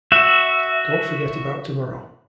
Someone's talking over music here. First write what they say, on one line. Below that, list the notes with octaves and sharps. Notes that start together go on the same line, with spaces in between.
Don't forget about tomorrow.
F#4 E5